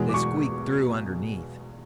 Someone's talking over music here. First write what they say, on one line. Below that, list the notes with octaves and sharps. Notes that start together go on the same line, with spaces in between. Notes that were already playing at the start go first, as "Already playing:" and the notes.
They squeaked through underneath.
Already playing: E2 B2 G#3
D6
C#6